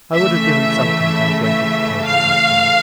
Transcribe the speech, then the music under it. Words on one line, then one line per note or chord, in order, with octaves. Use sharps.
I would have given something to have waited at table that day.
C#3 E3 A3 E5
E5
F5